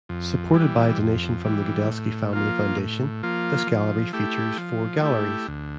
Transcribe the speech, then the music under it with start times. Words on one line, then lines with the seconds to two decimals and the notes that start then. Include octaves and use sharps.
Supported by a donation from the Gudelsky Family Foundation, this gallery features four galleries.
0.09 F2
0.53 E3 G3
0.99 F2
1.44 E3 G3
1.89 A2
2.33 F3 A#3 F4
2.77 A2
3.23 F3 A#3 F4
3.67 F3
4.13 A3 E4 G4
4.57 F3
5.02 A3 E4 G4
5.48 D2